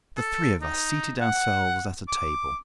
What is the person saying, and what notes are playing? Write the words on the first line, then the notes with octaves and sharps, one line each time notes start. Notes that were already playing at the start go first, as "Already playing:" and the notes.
The three of us seated ourselves at a table.
A4
D#4
F#5
D6